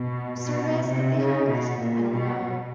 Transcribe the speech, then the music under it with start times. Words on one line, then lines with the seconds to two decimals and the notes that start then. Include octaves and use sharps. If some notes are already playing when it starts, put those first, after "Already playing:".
service that they have? I don't know,
Already playing: B2
0.39 B2
0.85 C3
1.17 C#3
1.48 B2
1.79 A#2
2.11 B2
2.42 B2